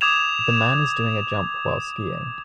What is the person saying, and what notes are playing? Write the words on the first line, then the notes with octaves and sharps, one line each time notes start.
The man is doing a jump while skiing.
D6 D#6 G#6 E7 F7